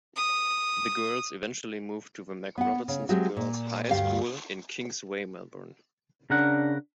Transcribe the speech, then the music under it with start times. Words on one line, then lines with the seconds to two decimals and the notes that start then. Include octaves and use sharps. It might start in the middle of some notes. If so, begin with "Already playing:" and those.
The girls eventually moved to the Mac.Robertson Girls' High School on Kings Way, Melbourne.
0.16 D#6
2.58 B3 F#5
2.88 C#3
3.09 F#3 G#3 A3 C4 G4
3.37 A#2
3.91 D2 G2 G4 F5
6.30 C#3 D4 A#4 F#5